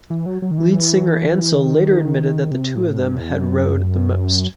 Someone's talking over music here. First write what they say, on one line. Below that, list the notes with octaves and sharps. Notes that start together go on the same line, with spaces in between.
Lead singer Ansell later admitted that the two of them had rowed the most.
E3
F#3
F#3
D#3
E3
D#3
C3
A2
G2
E2
F#2